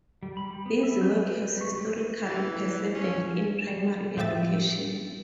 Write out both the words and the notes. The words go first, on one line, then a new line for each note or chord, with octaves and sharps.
Busy work has historical precedent in primary education.
G3
B5
G3
B3
E5
G6
B4
B4
C#6
G4
B4
E3
C#4
A2 F3 G4 E5 A6